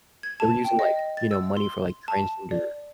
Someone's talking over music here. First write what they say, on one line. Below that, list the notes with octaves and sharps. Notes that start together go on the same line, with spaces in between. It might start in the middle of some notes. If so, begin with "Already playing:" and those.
they were using, like, you know, money for, like, transgender
G#6
A5
G5
D#5
A6
E6
C6
A5
D5